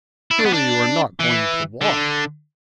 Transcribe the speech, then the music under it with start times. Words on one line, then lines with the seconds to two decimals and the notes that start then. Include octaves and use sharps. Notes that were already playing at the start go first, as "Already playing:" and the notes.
"Surely you are not going to walk?"
0.31 E4
0.39 D4
0.45 B3
0.53 D4
1.20 E3
1.81 D3